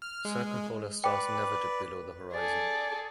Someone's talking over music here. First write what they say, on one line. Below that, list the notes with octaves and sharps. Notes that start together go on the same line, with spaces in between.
Circumpolar stars never dip below the horizon.
F6
G#3
B4 D5 G5 D6
G#4 A4 D5